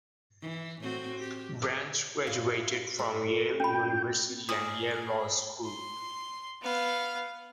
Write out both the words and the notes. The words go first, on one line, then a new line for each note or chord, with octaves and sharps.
Branch graduated from Yale University and Yale Law School.
E3
A2 C4 F#4
G4
E4 F4
A3
C#4 G5 B5
E4 G#4 A#4 D5 D#6
C6
B3 F5